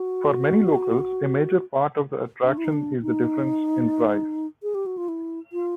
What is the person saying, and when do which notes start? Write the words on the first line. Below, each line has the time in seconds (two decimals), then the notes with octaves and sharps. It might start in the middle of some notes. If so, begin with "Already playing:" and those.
For many locals, a major part of the attraction is the difference in price.
Already playing: F#4
2.44 D4
2.58 E4
2.65 D#4
2.73 D4
3.02 D#4
4.63 G#4
4.75 G4
4.86 F#4
4.97 F4
5.08 E4
5.53 F4